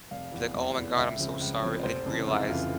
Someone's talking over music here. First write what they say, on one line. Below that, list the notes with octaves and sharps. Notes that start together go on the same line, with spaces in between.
be, like, "Oh my god. I'm so sorry. I didn't realize,"
F1 F5
E2 E3
F1
E2 E3
C#2 E5
C#3 F3 C4
C#2
C#3 F3 C4
F1 C5
F2 C#3 E3
F1 E4
F2 C#3 E3 F4